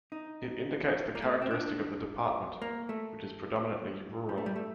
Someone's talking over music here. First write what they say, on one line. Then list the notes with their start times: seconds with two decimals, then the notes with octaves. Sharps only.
It indicates the characteristic of the département, which is predominantly rural.
0.12 D#4
1.15 A#3
1.22 A3
1.42 C4
1.51 D4
2.62 A#3
2.89 A3
4.29 G3
4.38 A3
4.46 G3
4.56 A3